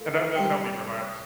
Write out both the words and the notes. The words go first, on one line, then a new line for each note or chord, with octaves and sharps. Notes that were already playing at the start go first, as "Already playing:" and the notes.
and that does help me relax.
Already playing: A#2 A3
C3 G3 C4